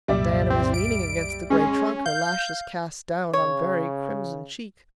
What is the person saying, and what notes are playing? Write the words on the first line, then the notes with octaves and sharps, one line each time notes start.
Diana was leaning against the gray trunk, her lashes cast down on very crimson cheeks.
C2 F#2 A#2 G3 D5 E5
C4
D7
G#3 C#4 G#4
F5 G6
C#3 C#5